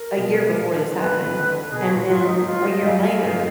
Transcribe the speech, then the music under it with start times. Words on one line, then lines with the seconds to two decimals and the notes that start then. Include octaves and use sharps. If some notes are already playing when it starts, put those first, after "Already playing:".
a year before this happened. And then a year later,
Already playing: A#4
0.17 B2
0.56 A#2
0.75 D3
0.94 D3 B4
1.32 D#3
1.52 D3
1.71 B2 G#4
1.90 A#2 F#4
2.10 G#2 F4
2.29 D#4
2.48 F4
2.67 D#5
2.82 G#2
2.86 F#2 F5
3.25 G#2